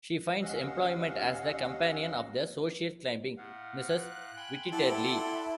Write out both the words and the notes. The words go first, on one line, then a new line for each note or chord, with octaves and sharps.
She finds employment as the companion of the social-climbing Mrs Wittiterly.
D#2 C#4 D#5 F5 F#5 E6
A2 F5 F#5
F#6
G5 G#5 B5 C6
E4 A4 D5 F#5 A5